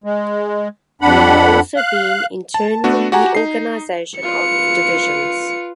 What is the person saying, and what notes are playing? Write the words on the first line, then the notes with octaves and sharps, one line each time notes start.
There had also been internal reorganisation of divisions.
G#3
F2 D4 F#5 B5
F5 F#6
A5
A3 B3 D4 F#4
F#4 G4 F#5 G#5 A#5
D#4 C7
F4 B4 C#7